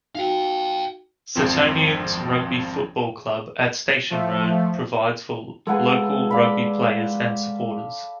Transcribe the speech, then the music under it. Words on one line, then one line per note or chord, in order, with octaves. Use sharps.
Suttonians Rugby Football Club, at Station Road, provides for local rugby players and supporters.
D#4 F#4 F5 G5
G#1 F2 F3 C4
F3 A3
G#3 F4 A4 B4 F#5 G#5
D5 F5 B5